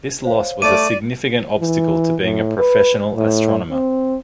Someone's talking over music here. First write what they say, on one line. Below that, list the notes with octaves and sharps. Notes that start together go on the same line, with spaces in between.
This loss was a significant obstacle to being a professional astronomer.
C5 C#5 F5
A3 D5 D6 D#7
E3
A2
B4
A2
C4